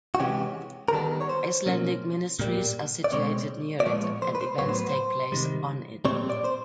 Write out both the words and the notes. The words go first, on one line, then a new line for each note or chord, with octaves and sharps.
Icelandic ministries are situated near it and events take place on it.
F#4
C3 E3 G#3 C#4 G4
A#4
D#3 G3 B3 A4
C#5
C5
B2 F#3 A#3 C#4
A#2 G3 A#3
D5
B2 G#3 C4 C#5
D5
A#2 F3 G#3 B3 C#5
C#5
C5
B4
C5
A2 F#3 B3 C#5
C5
B4
C5
C3 D#3 G3
A#2 G3 C4 C#5
D5
C5